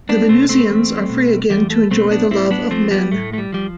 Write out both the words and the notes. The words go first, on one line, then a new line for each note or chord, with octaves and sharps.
The Venusians are free again to enjoy the love of men.
B3 D4
B2 A3 C4
A3 C4
E2
B2
E2 G3
A3
B2 A3 C4
B3 D4
A2 C4 E4
B3 D4
F3 A3 C4
G3 B3
A2 A3
A3
G3
F3 G3